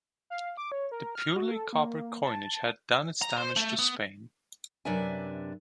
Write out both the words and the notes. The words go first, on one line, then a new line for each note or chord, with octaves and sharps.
The purely copper coinage had done its damage to Spain.
F5
D6
C#5
A#4
F6
F#4
A4
A#3
A5
A#5
C5
A3
B3
F#2 C3 D4 B4 E5 G#5